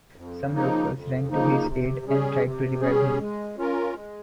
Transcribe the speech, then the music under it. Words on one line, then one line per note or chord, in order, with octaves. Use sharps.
Some locals ran to his aid and tried to revive him.
F2
C#3 F3 A#3 D#4
F2
C#3 F3 A#3 D#4
C3
G3 C#4 G#4
C3
G3 C#4 G#4
G#3
C#4 F4 A#4
G#3